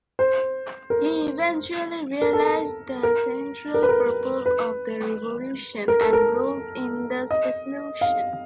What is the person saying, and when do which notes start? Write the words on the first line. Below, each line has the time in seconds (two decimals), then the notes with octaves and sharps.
He eventually realized the central purpose of their revolution and rose in the seclusion.
0.19 C5
0.90 A#4
2.22 A#4
2.33 A4
3.03 A#4
3.74 A#4
3.83 B4
3.89 A#4
4.46 B4
5.88 A#4
6.01 A4
6.13 A#4
7.31 D#5
8.01 F5